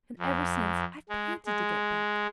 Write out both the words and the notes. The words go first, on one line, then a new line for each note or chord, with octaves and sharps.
And ever since, I've panted to get back.
F2
G#3
G#3